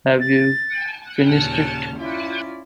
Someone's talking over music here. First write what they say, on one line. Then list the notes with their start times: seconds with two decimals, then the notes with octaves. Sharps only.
Have you finished it?
0.20 A6
1.28 D#2 A#2 C#3 A5 F6
1.96 C#4 E4 F4 D5